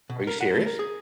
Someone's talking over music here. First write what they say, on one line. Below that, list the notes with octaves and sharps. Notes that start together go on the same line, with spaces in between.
Are you serious?
B2
A#4
F#5
A3
A#4
G#4